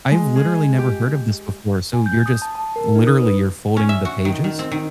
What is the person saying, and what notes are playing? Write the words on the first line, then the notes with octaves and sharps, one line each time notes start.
I've literally never heard of this before, so, you're, just literally, you're folding the pages?
G#3
G#4
G4
G#5
G6
D#6
A5
A5
A#4
D#4
D#6
B4
C#4
E5
F#4
D#3
D#3
C4
D#3